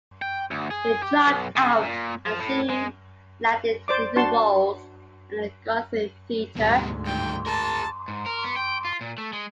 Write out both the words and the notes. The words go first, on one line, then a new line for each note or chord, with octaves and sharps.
He dropped out and soon landed leading roles at the Guthrie Theater.
G5
D2
G#4
G4
B1
C#3
A#2
F3
A2
G#3
C5 D5 D6
D4 F#4 A5 C6 C#6
D2 G#2 B2 G3
G2 D#3 G5
G#4 A#4 A5
G#2
A#4
B3
G5
F4
A#2
A3
G#3